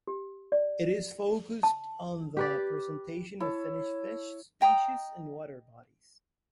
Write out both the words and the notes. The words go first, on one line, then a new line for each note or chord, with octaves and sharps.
It is focused on the presentation of Finnish fish species and water bodies.
G4
D5
A5
G4 B4 D5
E4 C#5 A5
D#5 G5 A#5 D#6